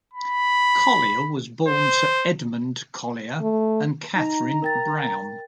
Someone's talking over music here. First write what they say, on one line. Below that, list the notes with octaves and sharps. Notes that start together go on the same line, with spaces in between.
Collier was born to Edmund Collier and Katherine Brown.
B5
C5
A3
D#4 D#5 A#5
A#4 G5 A6